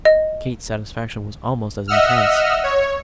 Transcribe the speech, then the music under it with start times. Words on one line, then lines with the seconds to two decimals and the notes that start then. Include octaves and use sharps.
Kate's satisfaction was almost as intense.
0.05 D#5
1.88 D#5 E5 F#5 E6 F6
2.64 C#5